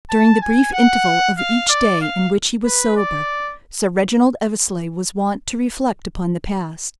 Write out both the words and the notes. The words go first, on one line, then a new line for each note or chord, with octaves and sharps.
During the brief interval of each day in which he was sober, Sir Reginald Eversleigh was wont to reflect upon the past.
A5
G#5
F#5
F5
D5
F5
B4
D5